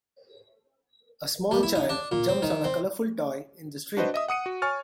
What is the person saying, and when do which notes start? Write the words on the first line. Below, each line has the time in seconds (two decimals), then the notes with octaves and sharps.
A small child jumps on a colorful toy in the street.
1.51 G3
1.63 E4
1.75 D#4
1.89 D4
2.12 A#2
2.29 C4
2.42 D#3
2.64 C4
3.97 D4 F#4 B4 C5 D#5
4.14 D#5 E5 D#6
4.28 F#5 D#6 C#7 D#7
4.46 F#4
4.62 C#5 G#5 C#6 F6 A6